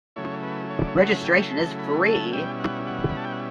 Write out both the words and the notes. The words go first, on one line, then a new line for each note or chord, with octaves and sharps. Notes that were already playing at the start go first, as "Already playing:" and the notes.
Registration is free.
C#3 F#3 A3 E4 C#5
B4
C#5
D5
C#5
F#5
G5
A5
B5
A5
B2 G3 C#4 E4 G5
F#5
F#5
B5
A5
G5
F#5